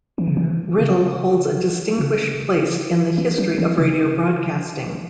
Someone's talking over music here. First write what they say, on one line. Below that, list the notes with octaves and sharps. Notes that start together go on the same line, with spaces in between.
Writtle holds a distinguished place in the history of radio broadcasting.
E3
C#3
E3
C#3
C#3
E3
F#3
E3
C#3